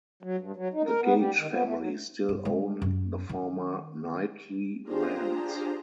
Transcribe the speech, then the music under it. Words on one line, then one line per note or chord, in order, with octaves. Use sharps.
The Gage family still own the former Knightley lands.
F#3
G2
F#3
D#4
A#4
B3
G3
D#3
B3
A3
F#3
G2
G#3
F#2
D#3
D4 F4 G4 G#4 C5 A#5